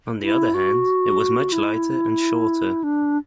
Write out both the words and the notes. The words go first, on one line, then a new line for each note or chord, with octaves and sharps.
On the other hand, it was much lighter and shorter.
E4
F#4
E4
D4